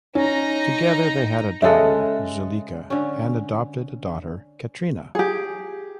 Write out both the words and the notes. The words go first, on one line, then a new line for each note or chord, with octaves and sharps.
Together they had a daughter, Zuleika, and adopted a daughter, Katrina.
C#4 D#4 A#5
C#3 G#3 A4 E5 F#5
D3 C#4
G4 G#4